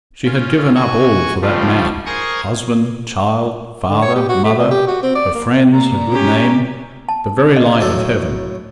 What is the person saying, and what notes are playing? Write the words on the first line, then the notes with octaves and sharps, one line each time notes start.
She had given up all for that man--husband, child, father, mother, her friends, her good name, the very light of heaven.
C#4 F4
F#4 G#5 C#6
C#3 F3 G3 A3 F4
G#4 A#4 C5 G#5 C#6 D#6
D3
C#5
G4
F#4
A3
A#2
G4
F#4
C4
D5
A#3
A#2 A#5
C#4 G4
A5
D#5
A2 F#3 A4